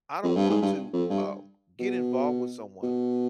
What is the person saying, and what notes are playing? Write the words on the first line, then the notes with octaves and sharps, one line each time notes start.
I don't want to, um, get involved with someone
F2
G2
G#2
G2
F2
G2
B2
B2